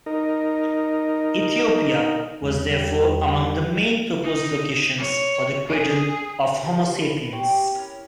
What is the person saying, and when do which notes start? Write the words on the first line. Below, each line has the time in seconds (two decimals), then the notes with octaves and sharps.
Ethiopia was therefore among the main proposed locations for the cradle of "Homo sapiens".
0.06 D#4 A#4
2.42 E2 G#3
2.63 G3
4.22 D#4
4.97 C#5
5.68 G#4
6.62 D#3 F3 G3
7.01 E4
7.33 C4 G4 C#5
7.75 C#4 E4 A#4